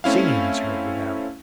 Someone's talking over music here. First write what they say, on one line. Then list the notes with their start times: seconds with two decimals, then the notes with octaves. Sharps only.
Singing is heard without.
0.04 A3 C4 C#4 E4 F5